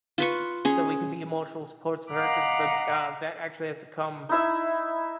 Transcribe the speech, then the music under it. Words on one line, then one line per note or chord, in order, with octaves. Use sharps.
so we can be emotional supports for her, 'cause the, uh, vet actually has to come
F4 B4 C#6
C#4 G#4
D#5 F5 F#5 A#5 B5 D6
D#4 E4 E5